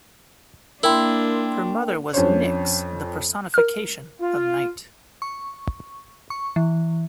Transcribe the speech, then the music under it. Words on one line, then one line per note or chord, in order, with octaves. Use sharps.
Her mother was Nyx, the personification of night.
A#3 D4 E4 A#4 G5 C6
F2 C#4 D4 C5 C#5
A#4 F6
F4
C#6
C#6
E3